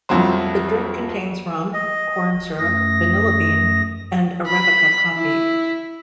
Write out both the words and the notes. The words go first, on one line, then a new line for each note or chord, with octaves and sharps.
The drink contains rum, corn syrup, vanilla bean, and Arabica coffee.
C2 F2 F3 F#3 C5
D#5
F#2 A3 D#6 A#6
B5
E4